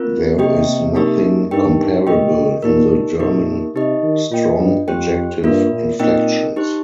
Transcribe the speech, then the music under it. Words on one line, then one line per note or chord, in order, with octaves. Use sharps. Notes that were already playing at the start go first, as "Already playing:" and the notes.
There is nothing comparable in the German strong adjective inflections.
Already playing: C4 F4 A#4
C3 A#3 G4 D#5 G5
A#3 D#4 G4 A#4
G2 D#4 G4 A#4 G5
G2
A#2 G4 A#4 D#5 G5
A#2 D#4 G4 A#4
A#2 A#3 D#4 G4 A#4
C3 D#4 G4 D#5
D#3
A#2 F4 D#5 G5
G2
F2 G4 C5 G5
G2 A#3 F4 A#4
A#2
A#2 C4 D#4 A#4 D#5 G5
D#4 G4 C5